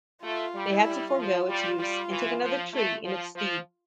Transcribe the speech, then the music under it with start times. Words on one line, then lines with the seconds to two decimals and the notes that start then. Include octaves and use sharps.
They had to forgo its use and take another tree in its stead.
0.23 A3 F4
0.54 G3
0.70 E4
0.85 G3
1.16 F3 F4
1.48 G3
1.79 G3
2.11 E3
2.42 F3
2.73 A3
3.05 F3
3.36 F3